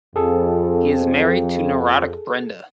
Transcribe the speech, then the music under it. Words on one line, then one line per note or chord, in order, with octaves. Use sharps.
He is married to neurotic Brenda.
F2 G#4 A4